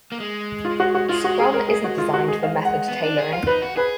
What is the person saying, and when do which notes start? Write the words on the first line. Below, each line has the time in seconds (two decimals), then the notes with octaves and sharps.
Scrum isn't designed for method tailoring.
0.12 A#3
0.20 G#3
0.65 F4
0.80 F#4
0.95 F#4
1.09 G#3 F4
1.24 F#4
1.39 G#4
1.54 A#4
1.69 G#4
1.84 F#4
1.98 F4
2.14 F#4
2.28 G#4
2.43 F5
2.65 F#5
2.88 B3
3.03 D4
3.18 G#4
3.33 F4 F5
3.47 D#4 B4
3.62 F#4
3.77 G#4 B4